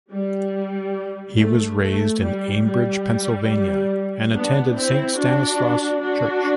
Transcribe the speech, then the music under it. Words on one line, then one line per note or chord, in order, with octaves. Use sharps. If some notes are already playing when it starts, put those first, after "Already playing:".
He was raised in Ambridge, Pennsylvania and attended Saint Stanislaus Church.
G3
A3
A3
G3
G3
B3 D4
C4 E4
D4 F#4
D4 F#4